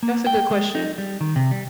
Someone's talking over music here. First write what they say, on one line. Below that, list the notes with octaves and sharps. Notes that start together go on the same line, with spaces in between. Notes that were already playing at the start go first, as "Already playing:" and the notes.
That's a good question.
A#3
G5
G#3
D#4
G3
D#3
C3
G3